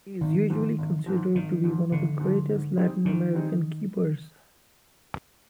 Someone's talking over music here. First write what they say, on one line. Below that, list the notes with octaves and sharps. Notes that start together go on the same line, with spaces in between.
He is usually considered to be one of the greatest Latin American keepers.
G#1 D#3
G#2 F3
G#1
G#2 F3
G#1 D#3
G#2 F3
G#1 D3
G#2 F3
G#2
G3 C4 D#4 G#4
G#2 D#3
G3 C4 D#4 G#4